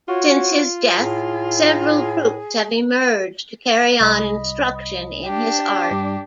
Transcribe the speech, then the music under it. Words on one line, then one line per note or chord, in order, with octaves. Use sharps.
Since his death, several groups have emerged to carry on instruction in his art.
F4 F#4 C#5
A2 G#4
C2 D#5 B5
D4 G4
G2 G3 D6